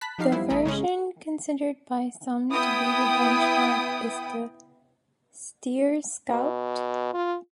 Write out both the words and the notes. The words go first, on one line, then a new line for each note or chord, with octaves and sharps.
The version considered by some to be the benchmark is the Steyr Scout.
A5 B5 F#6 B6
F3 D#4 G4 F5 C7
F#2 E3 G3 B3 C4 E4
A1 A3 E4 D#5 A#5 B5
C#3 G#3 C#4 G#4
B3 E4 G5 D#6
B2
F4